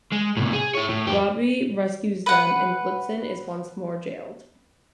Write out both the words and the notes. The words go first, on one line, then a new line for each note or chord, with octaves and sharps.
Robbie rescues them and Blitzen is once more jailed.
G#3
A2 C3
G#4
E4 C#5
A2
F2 G4
B4 F#5